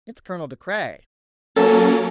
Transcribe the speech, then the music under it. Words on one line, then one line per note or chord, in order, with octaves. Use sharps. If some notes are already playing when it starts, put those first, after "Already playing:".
"It's Colonel De Craye."
F#3 A#3 C#4 A4